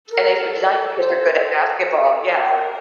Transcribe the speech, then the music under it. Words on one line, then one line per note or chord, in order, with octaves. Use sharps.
and they decided because they're good at basketball, yeah.
A4 A#4
C5
A4
A#4